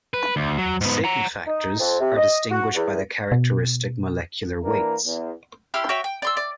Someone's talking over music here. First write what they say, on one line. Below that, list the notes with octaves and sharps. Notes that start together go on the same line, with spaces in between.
Sigma factors are distinguished by their characteristic molecular weights.
B4
D2
F#3
G#2 B3
F#5 A#5
D#4
F2
C3
D#5
F#4
E2
B2
E3 A#3 D4 A#4
E2
E4 G4 C6 F6
F#4 C#5 E5 G5
G5
D5 C6 E6
D5